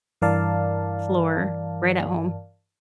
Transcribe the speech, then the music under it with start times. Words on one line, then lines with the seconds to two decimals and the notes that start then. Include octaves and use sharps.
floor right at home.
0.21 G2 E3 A#4 D5 F5 A5